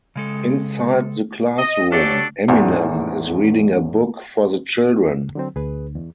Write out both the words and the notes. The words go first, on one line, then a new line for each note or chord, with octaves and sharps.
Inside the classroom, Eminem is reading a book for the children.
C#3 G#3 A4
D#5
F#3 C#4 D4 G4 A4 D5
A1 E2 G#2
D3 F#3 C4
D2 G#4 B4
E2